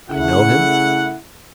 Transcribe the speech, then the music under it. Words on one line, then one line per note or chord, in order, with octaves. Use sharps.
"I know him?"
C#3 A3 E4 F#5